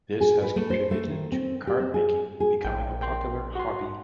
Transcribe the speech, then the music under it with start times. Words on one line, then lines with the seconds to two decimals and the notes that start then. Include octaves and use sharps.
This has contributed to cardmaking becoming a popular hobby.
0.21 G#4
0.42 B4
0.56 A3
0.70 C5
0.91 A3
1.07 D#3
1.32 C4
1.67 G4
1.80 C4
1.94 G#4
2.40 G#4
2.65 A#1 G5
3.02 G5 C6
3.55 F#4 C6